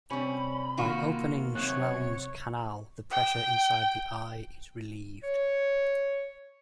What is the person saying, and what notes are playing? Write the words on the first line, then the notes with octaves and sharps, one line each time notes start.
By opening Schlemm's canal, the pressure inside the eye is relieved.
C3 G3 C#4 B5
D#3 A#3 F4 F#4
C#2 F#2 C3 C#5 F#6
G5
C#5